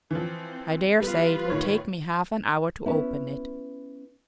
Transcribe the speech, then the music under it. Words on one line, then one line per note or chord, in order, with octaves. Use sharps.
I dare say it would take me half an hour to open it.
E3 F3 C4
G3 B3 F4 B4
A2 D#3 C#5
B3 C#4 E4